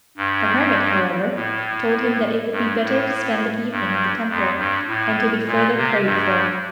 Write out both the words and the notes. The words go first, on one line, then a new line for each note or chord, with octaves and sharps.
The Hermit, however, told him that it would be better to spend the evening in the Temple, and to be further prayed for.
G2
A2
G2
A2
G2
F2
G2
A2
A#2
C3
G2